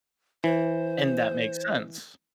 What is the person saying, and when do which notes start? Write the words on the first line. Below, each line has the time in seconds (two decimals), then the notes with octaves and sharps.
and that makes sense.
0.44 E3 C5